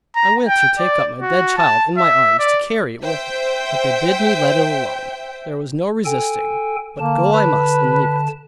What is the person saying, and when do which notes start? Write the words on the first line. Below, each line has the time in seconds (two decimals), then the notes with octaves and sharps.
I went to take up my dead child in my arms to carry it with me, but they bid me let it alone; there was no resisting, but go I must and leave it.
0.16 A#5
0.48 G5
0.79 D5
1.21 F#4
1.58 A5
1.97 E5
2.39 D5
3.01 C5 E5 G5
6.05 A4 G5 G#5
6.99 D3 A#3 A5
7.33 B4